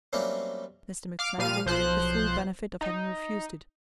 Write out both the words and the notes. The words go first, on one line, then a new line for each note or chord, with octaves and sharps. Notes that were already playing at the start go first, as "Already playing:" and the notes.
Mr. McSnagley the full benefit of having refused it.
F#3 G3 A3 A#3 C4 C#4
F5 D6 F6
A#2 F3 G3 F5 F6 D#7
B1 F3 C5 F#6
D#4